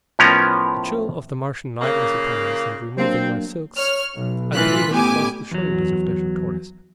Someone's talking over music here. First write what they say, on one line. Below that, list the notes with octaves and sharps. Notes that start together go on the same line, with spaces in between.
The chill of the Martian night was upon us, and removing my silks I threw them across the shoulders of Dejah Thoris.
A2 F3 B3 C#4 A#4 A#5
A#2 C#3 A#3
F#3 A#3 C4 D4
C#5 F6
B1
A1 E3 F4 F#6 B6
A1 B3 G4 G#5 D6
E2 F#3